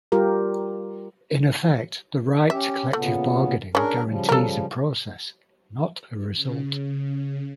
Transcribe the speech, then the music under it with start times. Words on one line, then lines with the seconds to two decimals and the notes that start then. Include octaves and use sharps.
In effect, the right to collective bargaining guarantees a process, not a result.
0.12 G3 F4 G4 A#4
2.50 C#4 G4 E5
2.93 A#2 C#3 A3 B3
3.75 G#3 C#4 D4 A#4
4.06 C#3 F3 G3
4.29 A4 A#4
6.35 C#3